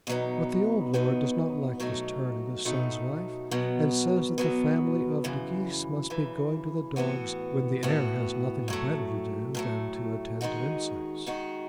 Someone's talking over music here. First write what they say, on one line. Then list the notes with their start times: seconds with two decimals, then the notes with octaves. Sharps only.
But the old lord does not like this turn in his son's life, and says that the family of De Geese must be going to the dogs when the heir has nothing better to do than to attend to insects.
0.07 E2 B2 F#3 B3 D#4
0.94 E2 B2 F#3 B3 D#4
1.80 B2 F#3 A3 D#4
2.65 B2 F#3 A3 D#4
3.51 B2 F#3 B3
4.38 B2 F#3 B3
5.24 F#2 C#3 E3
6.10 F#2 C#3 E3
6.96 A2 E3 B3 F#4
7.83 A2 E3 B3 F#4
8.68 A2 F#3 A3
9.55 A2 F#3 A3
10.41 D#3 G#3 D#4 F#4
11.27 D#3 G#3 D#4 F#4